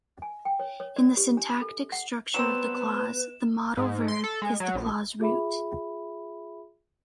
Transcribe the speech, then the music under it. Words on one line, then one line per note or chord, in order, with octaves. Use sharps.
In the syntactic structure of the clause, the modal verb is the clause root.
G#5
G5
C#5
C#5
D5
G4
D4
A4
F#5
F#3 G3 B3 C4 B4 E7
G#2
C6
A4
G#3
F#3
A#1
F4 G#4 E5 B5